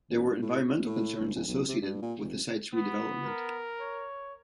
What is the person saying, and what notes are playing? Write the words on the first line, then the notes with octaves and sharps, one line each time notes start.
There were environmental concerns associated with the site's redevelopment.
A1
G2
A2
D2
A2
G1
D1
B1
C3
G2
A#2
F1
B3
A#4
C#5